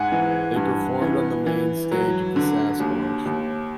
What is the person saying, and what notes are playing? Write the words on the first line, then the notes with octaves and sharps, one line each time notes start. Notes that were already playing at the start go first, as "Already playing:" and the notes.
They performed on the Main Stage of the Sasquatch!
Already playing: G#2 F#5 G#5
E3
G2
E3
E3
F#3
D3
D#2
D#2